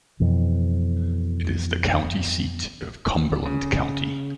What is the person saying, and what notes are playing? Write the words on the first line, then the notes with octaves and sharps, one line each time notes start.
It is the county seat of Cumberland County.
F2 B2 E3
C#3